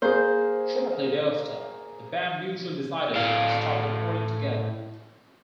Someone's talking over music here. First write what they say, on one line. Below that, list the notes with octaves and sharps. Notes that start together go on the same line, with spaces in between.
Shortly thereafter, the band mutually decided to stop recording together.
A#3 G#4 C5
A2 F5